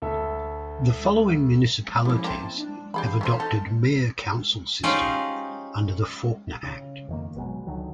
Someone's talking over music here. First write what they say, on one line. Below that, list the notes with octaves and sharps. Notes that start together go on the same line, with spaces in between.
The following municipalities have adopted mayor–council system under the Faulkner Act.
D2 A4 E5
F3 G3 A#3 C#4 E4
A#3 C4 E4 A5
D4
E3 G4 G#4 F5 B5
F#3 G#4 C5 F6 B6
D#4 A4
C#4 D#4 F4 G4 G#4 C5
C#3
F2 D#3 A#3
G#1 B2 F#3 G#3
C#2 D3 D#3 F#3